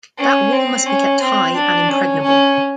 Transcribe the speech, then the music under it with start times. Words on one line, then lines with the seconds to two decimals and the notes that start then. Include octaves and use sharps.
That wall must be kept high and impregnable.
0.18 C#4
0.52 C4
0.86 C#4
1.20 C4
1.55 D4
1.89 C#4
2.23 C#4